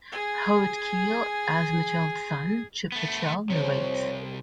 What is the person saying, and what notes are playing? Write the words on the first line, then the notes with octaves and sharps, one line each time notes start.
Howard Keel, as Mitchell's son "Chip Mitchell", narrates.
G#4 G#5
A3 B3
C2 F2 C3 C5 C#5